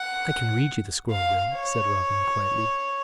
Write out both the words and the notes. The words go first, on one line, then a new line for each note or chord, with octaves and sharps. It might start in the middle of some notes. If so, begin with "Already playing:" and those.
"I can read you the scroll, Will," said Robin, quietly.
Already playing: F#5
F5
C#5